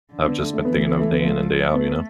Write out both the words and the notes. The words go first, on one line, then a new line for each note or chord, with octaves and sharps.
I've just been thinking of day in and day out, you know?
D3
B3
A3
A3
E3 B3
A3
B3
A3
B3
F3 A3
A3 B3